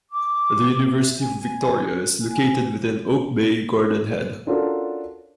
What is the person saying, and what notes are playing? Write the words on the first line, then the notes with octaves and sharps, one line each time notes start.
The University of Victoria is located within Oak Bay-Gordon Head.
D6
E5
G#5
G#5
C#4 D4 F4 F#4 A4 A#4